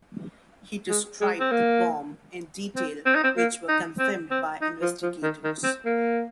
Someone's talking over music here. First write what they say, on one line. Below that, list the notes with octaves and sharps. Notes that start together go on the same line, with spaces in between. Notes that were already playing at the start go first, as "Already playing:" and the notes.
He described the bomb in detail, which were confirmed by investigators.
G#3
G#3
C4
A#3
C4
C4
D#4
C4
A#3
D#4
C4
C4
D#4
F3
F3
D#3
D#3
C4
A#3